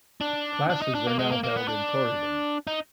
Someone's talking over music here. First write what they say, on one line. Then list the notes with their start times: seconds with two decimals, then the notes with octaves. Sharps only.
Classes are now held in Corydon.
0.21 D4
0.70 D4
0.82 D#4
0.95 D4
1.07 A#3
1.19 G#3
1.32 A#3
1.44 A#3
1.56 B3
1.68 D4
2.67 D#4